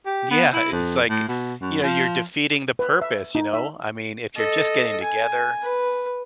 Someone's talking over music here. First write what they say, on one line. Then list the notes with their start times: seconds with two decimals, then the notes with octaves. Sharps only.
Yeah, it's like, you know, you're defeating the purpose, you know? I mean, if you're just getting together,
0.06 G4
0.31 B3
0.54 E4
0.72 F2
1.09 A2
1.28 B2
1.61 F#2
1.83 F3
2.79 B4
3.02 E5
3.35 D#4
3.53 E5
4.36 A4 D#5
5.03 G#5
5.62 B4